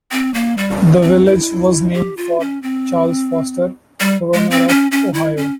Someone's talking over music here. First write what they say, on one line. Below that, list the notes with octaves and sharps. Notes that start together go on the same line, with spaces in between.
The village was named for Charles Foster, governor of Ohio.
C4
A#3
G3
C4
E4
G4
F4
C#4
C4
G3
G#3
C4
C#4
C#4
E4
C#4